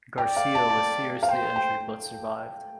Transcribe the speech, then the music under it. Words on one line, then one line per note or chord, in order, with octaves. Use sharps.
Garcia was seriously injured but survived.
D5 G5
F5
A5
A5
F5
C5 G5
G5